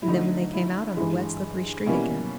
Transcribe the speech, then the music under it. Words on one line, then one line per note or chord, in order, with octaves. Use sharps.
And then they came out on the wet, slippery street again.
E4
D3 F#3 A3 D#4
E4
G2 E3 G#3 E4
B2 G3 A#3 C#4 E4